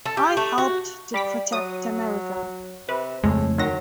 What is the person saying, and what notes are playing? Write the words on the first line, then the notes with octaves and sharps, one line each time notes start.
I helped to protect America.
A4
G4
A3
F#4
G3 B5 D6 B6
F#3 D#6
C3 B4
F2 A2 C#3 G#3 A3
D#3 F#3 A#6